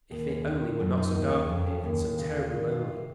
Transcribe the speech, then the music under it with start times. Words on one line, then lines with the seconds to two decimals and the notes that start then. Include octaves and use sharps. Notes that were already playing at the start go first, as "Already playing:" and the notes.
If it only were not so dark here, and so terribly lonely!
0.11 D#2
0.29 C#4
0.46 D#3
0.63 D#3
0.80 F#2
0.97 D#4
1.15 D#2
1.32 C#4
1.49 F2
1.67 C#4
1.84 D#2
2.01 D#2
2.18 C#3
2.36 F4
2.53 D#3
2.71 F4
2.88 C3